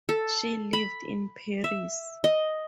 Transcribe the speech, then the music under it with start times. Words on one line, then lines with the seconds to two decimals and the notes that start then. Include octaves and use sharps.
She lived in Paris.
0.09 A4
0.73 B5
1.64 E5
2.24 D#5